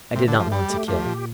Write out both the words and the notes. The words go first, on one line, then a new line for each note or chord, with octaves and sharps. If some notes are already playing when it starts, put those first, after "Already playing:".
I did not want to kill.
C3 A3
D3
G4
F3
G3 G4
A3
F3 G4
A#2